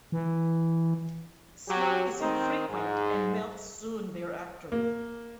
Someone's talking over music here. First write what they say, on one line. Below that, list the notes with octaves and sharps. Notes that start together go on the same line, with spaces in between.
Snow is infrequent and melts soon thereafter.
E3
F#3 G4
D#3 C4 D#4
G#2
A#3